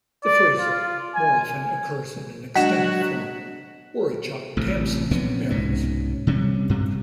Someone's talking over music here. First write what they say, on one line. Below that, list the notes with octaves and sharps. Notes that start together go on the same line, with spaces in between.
The phrase more often occurs in an extended form: "We're a' Jock Tamson's bairns".
D5
F4
G#5
F#3 G#3 D4 F#4 D#5 F#5 B6 E7
A1 C3
A#1 C3 B3 C#4
C2 G#2 B2 C#4
C3 G3 C#4
G2 C3